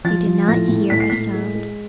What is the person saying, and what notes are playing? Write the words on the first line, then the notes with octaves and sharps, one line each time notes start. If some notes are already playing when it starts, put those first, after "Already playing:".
They did not hear a sound.
F3 A6
F3
A2 A#6
A2
A2 B6
C7
A2 B6
G#3
G#3